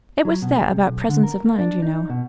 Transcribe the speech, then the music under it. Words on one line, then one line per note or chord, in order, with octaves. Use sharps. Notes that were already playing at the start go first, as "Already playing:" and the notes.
It was that about presence of mind, you know.
F#3
B2
G#4
C3
B1
D3
A#4
A#3
D4
D#4
B2